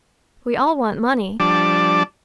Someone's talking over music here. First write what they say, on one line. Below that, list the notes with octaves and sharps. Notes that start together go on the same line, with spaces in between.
We all want money.
F3 G3 D4 D5 A5 D6